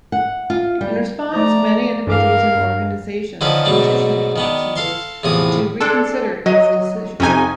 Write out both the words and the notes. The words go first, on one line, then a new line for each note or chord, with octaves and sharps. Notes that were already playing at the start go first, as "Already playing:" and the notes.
In response, many individuals and organizations petitioned Fox News to reconsider its decision.
F#5
F4
G3
F3 A3 D5 A#5
G2 E3 A#4 F5 D6
G2
D3 D#3 F3 C#4 A4 B4
G#2 B2 F#3 A3 D4
D#3 B3 D4
A4 F5 C6 C#6
E2 A2 C3 F3 D#6
G#3 D4 A4
F#3 D#5
F2 C3 C#4 D#4 G#5